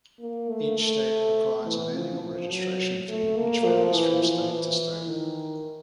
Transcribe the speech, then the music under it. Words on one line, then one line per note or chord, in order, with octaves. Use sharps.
Each state requires an annual registration fee which varies from state to state.
A#3
A3
A3
E3
F3
F3
F#3
A3
A#3
F3
E3
F3
E3
D#3